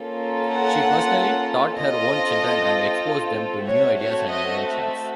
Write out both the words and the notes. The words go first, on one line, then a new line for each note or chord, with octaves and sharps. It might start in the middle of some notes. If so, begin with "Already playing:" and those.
She personally taught her own children and exposed them to new ideas and inventions.
Already playing: A#3 C#4 F4 A4
F#5
C4 F4 A4 D#5
A3 C4 F#4 A4 C#5
C#5
D#5